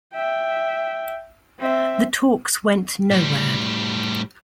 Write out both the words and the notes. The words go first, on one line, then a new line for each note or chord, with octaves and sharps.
The talks went nowhere.
E5 G5
C4 E5
A2 G3